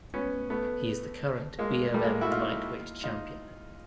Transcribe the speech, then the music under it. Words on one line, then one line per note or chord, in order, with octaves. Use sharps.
He is the current BoM Lightweight champion.
B3 C#4
A3 B3
G#3 A#3
G3 A3
G#3 A#3
E4 F#4
D#4 F4
D#4 F4